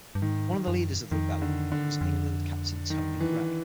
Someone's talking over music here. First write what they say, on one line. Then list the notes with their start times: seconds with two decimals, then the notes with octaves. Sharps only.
One of the leaders of the "rebellion" was England captain Tony Greig.
0.15 G2
0.22 G#2 D#3
0.67 F#2
1.11 F2 D#3
1.42 D3
1.72 D3
2.01 F2
2.90 D#3
3.21 E3